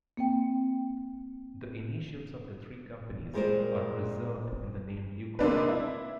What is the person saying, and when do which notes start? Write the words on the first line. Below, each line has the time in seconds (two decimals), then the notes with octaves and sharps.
The initials of the three companies are preserved in the name Lukoil.
0.17 A#3 C4 G5
3.34 A#2 G3 G#3 B3 A#4 C5
5.39 C3 G#3 A#3 D4 D#4 B4
5.68 E4